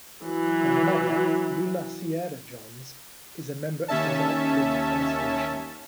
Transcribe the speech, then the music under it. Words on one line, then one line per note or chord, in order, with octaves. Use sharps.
Their mother, Lulla Sierra Johns, is a member of the White River First Nation.
E3 F#3
D#2 C#4 E5 A5